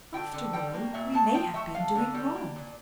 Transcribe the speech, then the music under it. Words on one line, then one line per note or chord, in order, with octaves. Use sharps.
'After all, we may have been doing wrong.
D3 G5
D3
G3 G5
A#3
A#2 E5
A#2 A5
F3 G5
A3 E5
D3 F5
D3
G3
A#3
A#2